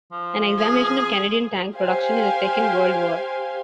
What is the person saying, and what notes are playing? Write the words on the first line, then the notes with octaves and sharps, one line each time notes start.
An examination of Canadian tank production in the Second World War.
F3
G#4
G4 C5 F5 G#5